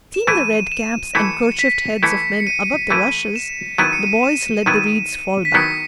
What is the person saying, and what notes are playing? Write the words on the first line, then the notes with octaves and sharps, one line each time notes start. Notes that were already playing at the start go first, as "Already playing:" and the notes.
Seeing the red caps and kerchiefed heads of men above the rushes, the boys let the reeds fall back.
E7
E3 A3 E4 D#7
E7
E3 A3 E4 C#7
B6
E3 A3 E4 C#7
C#7
D#7
E3 A3 E4 D#7
E7
D#3 F#3 B3 E4 D#7
C#7
D#7
E7
D#3 F#3 B3 E4 D#7
B6
D#3 F#3 B3 E4 C#7